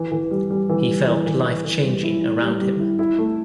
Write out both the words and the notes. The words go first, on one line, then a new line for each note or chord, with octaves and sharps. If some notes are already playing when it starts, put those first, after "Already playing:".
He felt life changing around him.
Already playing: E3
E3
G3
G3
E3
G3
E3
E3
E3
E3
G3
E4
E4
G3
G3
E4
E4
A3